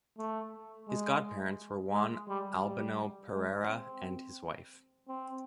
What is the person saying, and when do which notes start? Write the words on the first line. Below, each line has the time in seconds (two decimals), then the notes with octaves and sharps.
His godparents were Juan Albano Pereira and his wife.
0.18 A3
0.88 G#3
1.93 G#3
2.29 G3
2.63 G3
3.34 G#3
3.68 C4
5.08 C4